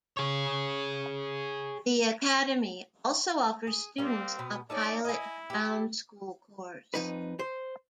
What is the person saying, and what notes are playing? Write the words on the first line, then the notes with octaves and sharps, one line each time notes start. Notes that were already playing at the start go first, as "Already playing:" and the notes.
The academy also offers students a Pilot Ground School course.
G#4 C#5
G#4
G3 A#3 C4
B2 B3
C#4 D#4 A4 D5
E4 D#5 G#5
G4 G5
F2 D#4 B4
C5